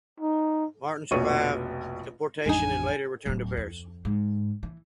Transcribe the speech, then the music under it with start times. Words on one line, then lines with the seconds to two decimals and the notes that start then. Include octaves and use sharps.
Martin survived deportation and later returned to Paris.
0.20 D#4
1.11 F1 A#1 B2 C#5 C#6 D#7
2.46 A1 F2 G#3 D4 D#4 G#5
3.26 D1 F#3
3.57 F2
4.05 G#2
4.63 E3